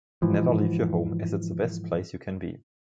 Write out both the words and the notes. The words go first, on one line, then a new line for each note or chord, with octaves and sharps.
Never leave your home, as it’s the best place you can be.
G#2 E3 F3